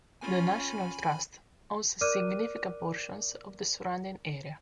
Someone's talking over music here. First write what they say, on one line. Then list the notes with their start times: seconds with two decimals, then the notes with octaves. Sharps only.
The National Trust owns significant portions of the surrounding area.
0.21 C#4 F4 G#5 B5
2.01 A#4 D5 D6 F6 F#6 D#7